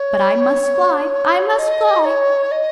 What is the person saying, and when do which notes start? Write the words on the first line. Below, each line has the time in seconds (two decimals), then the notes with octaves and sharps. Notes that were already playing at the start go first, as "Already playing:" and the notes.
But I must fly, I must fly!
Already playing: C#5
1.58 D#5
2.05 C#5
2.51 D#5